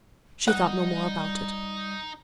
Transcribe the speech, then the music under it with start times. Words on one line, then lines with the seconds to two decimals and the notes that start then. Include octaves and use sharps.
She thought no more about it.
0.48 G3 D#4 F#5